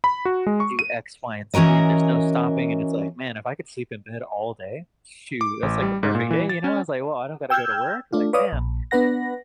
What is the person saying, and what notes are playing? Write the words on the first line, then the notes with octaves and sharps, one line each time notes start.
do X, Y, and Z, and there's no stopping," and it's like, "Man, if I could sleep in bed all day, shoot, that's like the perfect day," you know? I was like, "Well, I don't gotta go to work." Like, man,
B5
F#4
G#3
C#6
D#7
E3 C#4 F#4 A#4 D#5
D6
A1
G3
G#2
A#2
E3
A6
C#4
G5 E6 F6 G6 G#6
A3 D4 F4
B4 C#5 D5 F5 D#6
A#1
B3 D4 B4 F#5 A#6